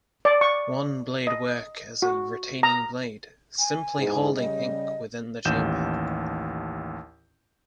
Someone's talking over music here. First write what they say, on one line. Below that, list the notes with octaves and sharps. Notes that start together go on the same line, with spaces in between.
One blade work as a retaining blade, simply holding ink within the chamber.
D5
C#6
D#5
F#4
A#5
G#5
E2 G#2 G#4
C#3 G3 D#5
A1 D#2 G6 E7